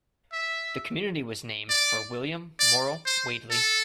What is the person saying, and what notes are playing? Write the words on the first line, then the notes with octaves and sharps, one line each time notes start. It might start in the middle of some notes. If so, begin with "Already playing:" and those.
The community was named for William Morill Wadley.
E5
D5
D5
C5
A4